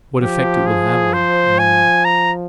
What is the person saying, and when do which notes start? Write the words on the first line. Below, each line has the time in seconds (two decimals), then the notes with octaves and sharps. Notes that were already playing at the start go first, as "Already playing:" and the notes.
What effect it will have, I know not.
0.21 F3 G4
0.67 G#4
1.13 C5
1.59 G#5
2.05 A#5